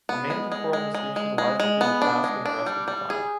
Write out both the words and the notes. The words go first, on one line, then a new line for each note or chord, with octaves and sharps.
The main temporal distinction lies between the past and the rest of the time.
B3
G#3
G#3
G#3
G#3
G#3
G#3
G#3
B3
D4
G#3
D4
G3
G3
G#4